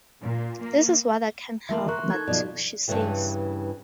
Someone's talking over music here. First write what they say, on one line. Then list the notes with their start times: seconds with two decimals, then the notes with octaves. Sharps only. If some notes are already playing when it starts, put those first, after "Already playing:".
This is what I can't help but do, she says.
0.22 A#2
0.61 A#3
1.69 E3 A3 A#3 E5 C6
1.88 A#4 A#5 C#6 F#6
2.10 D#4 A4 G#6
2.28 B2 F3 D5
2.88 G2 A#2 C#3 E3 G3